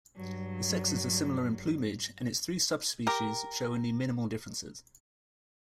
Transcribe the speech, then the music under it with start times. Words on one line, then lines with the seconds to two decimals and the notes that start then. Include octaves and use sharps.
The sexes are similar in plumage, and its three subspecies show only minimal differences.
0.16 G2 F#3
3.07 G4 A#4